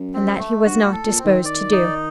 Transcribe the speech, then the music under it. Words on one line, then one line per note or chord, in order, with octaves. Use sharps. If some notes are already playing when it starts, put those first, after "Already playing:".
And that he was not disposed to do.
Already playing: F#2
C4
A3
G2 F#4
A2
A4
A#2
C4
D#3
D#3 D5
D#4